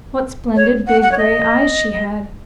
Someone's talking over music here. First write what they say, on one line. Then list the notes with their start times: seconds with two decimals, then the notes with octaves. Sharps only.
What splendid big grey eyes she had!
0.56 C#5
0.87 F#5
1.02 F#5
1.12 C#5
1.18 D#5